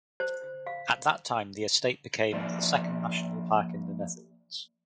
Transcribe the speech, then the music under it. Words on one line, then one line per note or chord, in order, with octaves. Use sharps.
At that time the estate became the second national park in the Netherlands.
C5
F5
F3 A#3 C5 D5 E5